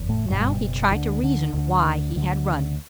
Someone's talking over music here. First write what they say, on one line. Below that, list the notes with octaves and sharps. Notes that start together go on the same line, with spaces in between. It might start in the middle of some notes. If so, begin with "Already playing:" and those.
Now he tried to reason why he had run.
Already playing: F#1 E2
A2 A3
F#1 E2 G2 B2 G3
D2 D3 E3
D3
D2 D3
D2 D3